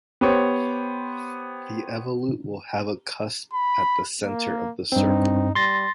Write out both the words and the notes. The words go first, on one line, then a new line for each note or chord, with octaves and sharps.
The evolute will have a cusp at the center of the circle.
B3 G4 C5 C#5
B5
A#3
G2 C4 D#4
G3 C6 A6 A#6